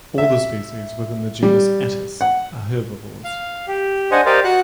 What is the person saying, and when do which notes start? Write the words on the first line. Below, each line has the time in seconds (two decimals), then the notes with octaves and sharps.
All the species within the genus Atys are herbivores.
0.18 E5
1.43 G3
2.21 F#5
3.25 F5
3.68 G4
4.11 D4 C5 D#5 F#5 G#5
4.26 G4 A#4 C5 D5 D#5 F5
4.44 F#4 F#5 F#6